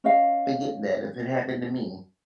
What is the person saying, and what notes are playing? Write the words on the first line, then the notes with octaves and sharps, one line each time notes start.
forget that if it happened to me.
C#4 D#5 F5